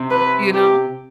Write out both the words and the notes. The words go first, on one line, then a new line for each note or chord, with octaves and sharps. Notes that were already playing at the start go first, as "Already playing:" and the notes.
You know?
Already playing: C3
B4
G4